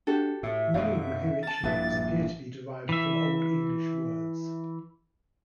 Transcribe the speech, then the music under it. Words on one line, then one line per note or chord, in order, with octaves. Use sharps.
Many Rohirric names appear to be derived from Old English words.
D4 F#4 G4 A4
A2 E5
F#2 B2 D#4 F5
A#4 A5 A6
A#1 G2 E4 B4 E5
E3 E5